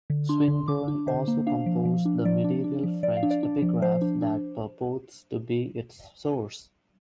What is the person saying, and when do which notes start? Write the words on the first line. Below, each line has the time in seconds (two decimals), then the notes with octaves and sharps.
Swinburne also composed the medieval French epigraph that purports to be its source.
0.10 D3
0.29 D4 C6
0.48 D3
0.68 D3 D6
0.88 D4
1.07 D3 C5
1.28 A#3
1.47 D4 F5
1.66 F3
1.85 F3
2.05 D4
2.25 F3 D5
2.44 D4
2.64 D4
2.83 F3
3.03 F3 D5
3.17 F5
3.23 D4
3.31 D5
3.43 D4
3.62 F3
3.82 F3 C5
4.01 D4
4.21 D4